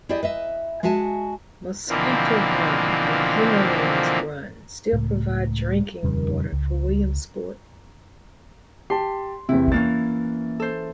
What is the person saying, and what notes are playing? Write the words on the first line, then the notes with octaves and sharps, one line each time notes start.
Mosquito Run and Hagerman's Run still provide drinking water for Williamsport.
E4 G4 G#4 D5 D#5
B4 D#5 E5
G#3 F#4 E5 G#5 A5
B2 D3 E3 F3 A#3 C4
C#2 A2
D#1 F2 C#3 G3
C#2
G4 A5 C6
E2 C3 E4
E3 A#3 C#4 A6
A4 C5